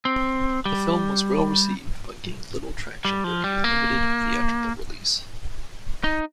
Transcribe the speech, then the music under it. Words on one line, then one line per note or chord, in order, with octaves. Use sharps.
The film was well-received but gained little traction during a limited theatrical release.
C4
G3
G3
F3
G3
A#3
D#4